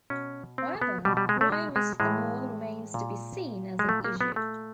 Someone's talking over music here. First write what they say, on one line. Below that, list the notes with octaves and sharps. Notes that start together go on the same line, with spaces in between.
However, crime at the mall remains to be seen as an issue.
B2 C#4
C4
B3
B2 G3
G3
G#3
A3
G#3
G#3
A2 E3 G#3
A#2
G#3
A#2 A3
A#3
B3
A3